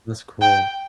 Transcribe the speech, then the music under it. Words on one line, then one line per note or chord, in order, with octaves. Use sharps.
That's cool.
G5